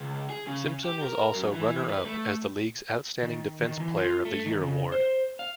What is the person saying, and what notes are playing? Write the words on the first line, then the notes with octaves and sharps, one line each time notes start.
Simpson was also runner-up as the league's Outstanding Defensive Player of the Year Award.
C#2
G#4
C#3
G4
A#4
F#2
E3
B4
A3
D#3
D#3
E3
F4
A3
D#3
C#3
C5
F5